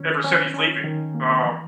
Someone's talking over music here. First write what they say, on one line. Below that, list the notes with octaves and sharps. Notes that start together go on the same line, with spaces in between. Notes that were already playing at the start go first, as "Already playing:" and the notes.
ever said he's leaving." Um
Already playing: D#3 C#4
C#4
C#4
D#3
A#3
E3